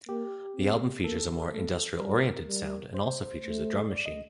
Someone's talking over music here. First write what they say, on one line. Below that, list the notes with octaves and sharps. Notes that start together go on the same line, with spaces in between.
The album features a more industrial-oriented sound and also features a drum machine.
A#3 G4
C4
A#3 A4
A3
G3 A#4
G3
C5
A3
D5
D#5